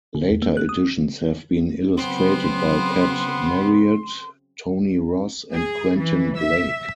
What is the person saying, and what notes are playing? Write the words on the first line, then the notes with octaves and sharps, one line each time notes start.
Later editions have been illustrated by Pat Marriott, Tony Ross, and Quentin Blake.
D3
E2
A#3
F#6
D#6
C#3 F#3 B3 C4 C6
G#4
E3
E5